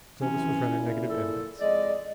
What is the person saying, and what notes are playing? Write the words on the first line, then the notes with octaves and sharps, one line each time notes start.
Still this was rather negative evidence.
F#2 C3 E3 C#4
A#2 C#3 E4
A4
F2 G#3 D5 D#5